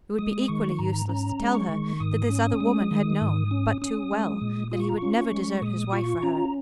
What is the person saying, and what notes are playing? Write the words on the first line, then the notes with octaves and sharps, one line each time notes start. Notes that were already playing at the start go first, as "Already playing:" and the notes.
It would be equally useless to tell her that this other woman had known, but too well, that he would never desert his wife for her.
G#3 D#6
D#3 C#6
G#2 A#5
C#4 A#5
G#3
C#6
D#3
G#2 D#6
C#4
G#3
D#3
G#2
C#4
C#4 D#6
G#3
A#2
F4 D#6
C#6
A#5
C#4 C#6
C#6
G#3
A#2 D#6
F4 C#6
C#4 A#5